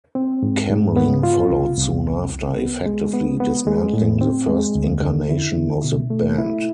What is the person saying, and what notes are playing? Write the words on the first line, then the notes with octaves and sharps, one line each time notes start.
Kemling followed soon after, effectively dismantling the first incarnation of the band.
C4
G#2
G#2
B3
F4
C2
C2
C2
C2
B3
G#3
B3
B3
G#3
A2
C4
G#3
D2
D3
E4
D3
B2
A3
E4